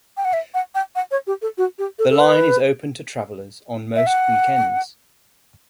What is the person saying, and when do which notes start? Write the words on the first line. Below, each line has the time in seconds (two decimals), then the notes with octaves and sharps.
The line is open to travellers on most weekends.
0.17 G5
0.25 F#5
0.33 E5
0.54 F#5
0.75 G5
0.96 F#5
1.11 C#5
1.27 G4
1.42 A4
1.58 F#4
1.79 G4
1.99 A4
2.10 A4
2.20 B4
3.96 E5
4.07 F#5